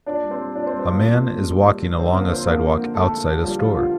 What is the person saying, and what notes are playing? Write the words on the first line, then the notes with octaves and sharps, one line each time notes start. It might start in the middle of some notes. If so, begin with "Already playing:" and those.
A man is walking along a sidewalk outside a store.
A#2 D4 D5
G3
C4 C5
G3
A#2 D4 D5
C4 C5
G3
C4 C5
G3 A#3 A#4
A#2
A#2
G3
G3
G3
G3
D3 C4 C5
D3 A#3 A#4
F3 C4 C5
D3 A#3 A#4
D3
D3
D3 A3 A4
A3
D3
F3 G3 G4
F3 A3 F4
D3 F3 F4